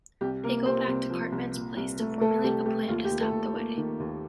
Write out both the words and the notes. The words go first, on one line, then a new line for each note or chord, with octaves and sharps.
They go back to Cartman's place to formulate a plan to stop the wedding.
C2 G4
C3 A#3 A#4
C3 C4 C5
C2
F3
C2
A#2
C2
A3
A3 A4
C2 G4
A3 G4
D#2 F4
G4
D#2
A3 A4
D#2
A#3
D#3
D#2